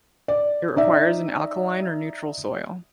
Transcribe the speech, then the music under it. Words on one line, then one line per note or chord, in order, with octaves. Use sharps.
It requires an alkaline or neutral soil.
D5
D#4 D5 E5